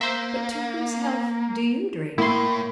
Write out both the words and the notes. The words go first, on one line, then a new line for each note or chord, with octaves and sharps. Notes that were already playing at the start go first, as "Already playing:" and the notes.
But to whose health do you drink?'
A#3 C5 E5
A2 A#3 E4 C6